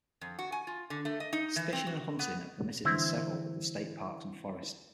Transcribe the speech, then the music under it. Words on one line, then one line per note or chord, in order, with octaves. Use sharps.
Fishing and hunting are permitted in several of the state parks and forest.
F2
F#4
G#5
F4
D3
A3
D#5
D#4
E3
C4
F#4
B3
D3 E3 C4 E4